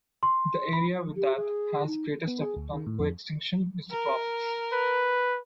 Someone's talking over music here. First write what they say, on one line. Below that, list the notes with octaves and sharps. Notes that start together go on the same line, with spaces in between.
The area with that has the greatest affect of coextinction is the tropics.
C6
B5
G4
G#4
D#4
B3
G#4
D2
D#3
A2
F2
A#4
B4